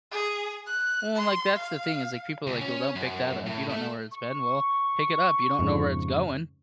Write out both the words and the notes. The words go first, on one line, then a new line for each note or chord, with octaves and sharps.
Well, like, that's the thing is like people like, "Well, don't pick that up, you don't know where it's been." well, pick it up, you don't know where it's going.
G#4
F#6
C6
F5
C#2
C#4
F#2
A2
A3
C#6
F2 G#2 C#3